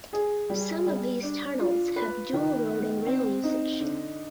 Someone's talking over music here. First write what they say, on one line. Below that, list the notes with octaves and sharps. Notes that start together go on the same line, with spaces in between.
Some of these tunnels have dual road and rail usage.
G#4
G3
G3
D4
F4
B4
D#3
B3
C4
D#4
D3